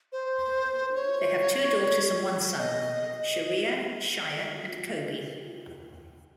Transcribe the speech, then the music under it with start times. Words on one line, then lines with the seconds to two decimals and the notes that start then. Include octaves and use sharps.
They have two daughters and one son: Sharia, Shaya, and Kobe.
0.12 C5
0.95 C#5
2.59 D#5